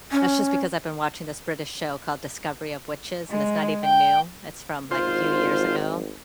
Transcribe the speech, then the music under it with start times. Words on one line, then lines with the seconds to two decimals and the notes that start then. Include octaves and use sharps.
That's just because I've been watching this British show called Discovery of Witches, and it's not even new, it's from, like, a few years ago,
0.12 C#4
3.29 G#3
3.84 G5
4.91 G#1 F4 C5